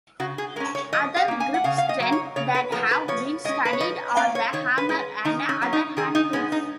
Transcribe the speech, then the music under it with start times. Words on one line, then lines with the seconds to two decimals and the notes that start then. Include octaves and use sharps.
Other grip strengths that have been studied are the hammer and other hand tools.
0.20 C#3 F#4
0.38 G#4
0.56 G#3 A#4
0.60 C#4
0.75 C#5
0.93 F3 D#5
1.16 F5
1.28 A#3 C#4
1.40 G#5
1.54 F#5
1.64 C#3 F5
1.78 F5
1.89 D#5
2.00 F#3 A#3
2.12 C#5
2.36 C#3 C#5
2.55 B4
2.72 F3 G#3 B3 A#4
2.91 B4
3.08 F3 C#5
3.44 G#3 C#4 D#5
3.65 B4
3.73 C#5
3.80 F3 D#5
4.17 A#3 C#4 F5
4.35 C#5
4.53 D#3 C#5
4.78 B4
4.89 G#3 C#4
5.25 D#3 D#4
5.49 C#4
5.62 F#3 A#3 C#4
5.73 D#4
5.97 D#3 G#4
6.15 D#4
6.33 G#3 B3 C#4
6.52 D#4